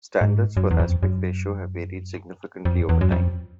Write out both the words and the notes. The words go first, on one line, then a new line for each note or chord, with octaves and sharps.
Standards for aspect ratio have varied significantly over time.
G#2
F#2
E2
F2
F#2
F2
E2
F#2
F2